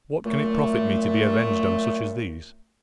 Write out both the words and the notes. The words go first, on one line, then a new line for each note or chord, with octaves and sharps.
What can it profit me to be avenged on such as these?
F#2 A#2 F#3 A3